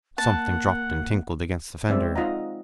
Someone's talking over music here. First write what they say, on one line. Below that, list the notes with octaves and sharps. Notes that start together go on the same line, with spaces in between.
Something dropped and tinkled against the fender.
A#3 F#5 A5
G#3 C4 D5 E5
D#4 F4 D#5 F#5 A#5